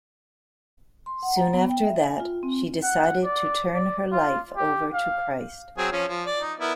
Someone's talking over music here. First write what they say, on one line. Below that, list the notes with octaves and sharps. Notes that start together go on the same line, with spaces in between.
Soon after that, she decided to "turn her life over to Christ".
C6
F#5
A#5
B3
G5
E5
G#5
F4
C4
F#5
D5
D5
F4
G4
F5
F#3 C4 G#4
F3 C#4
F3
D5
D#4
B3 E4 A#4